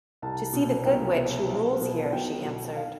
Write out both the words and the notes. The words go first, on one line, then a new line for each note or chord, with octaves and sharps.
"To see the Good Witch who rules here," she answered.
C2 A5
B2
C2 G5
B2
B1
B2
B1 G5
B2
F5